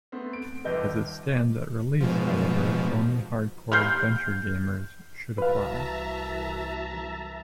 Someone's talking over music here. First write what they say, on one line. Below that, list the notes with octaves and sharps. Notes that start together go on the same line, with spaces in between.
As it stands at release, however, only hardcore adventure gamers should apply.
A3 B3 C4
D7
G1 D#2 A4 B4 D#5 G6
G#2 B2 F3
F6 G6 C7
C2 E3 F#4 B4 E5 F5 A5 A#5